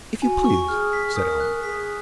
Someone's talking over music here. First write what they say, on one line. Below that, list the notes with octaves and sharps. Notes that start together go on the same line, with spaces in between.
"If you please," said Allan.
F#4 G#5
C#6
G#4 F6
B6
A#4 D#6
F#6
A#4
G#4 B6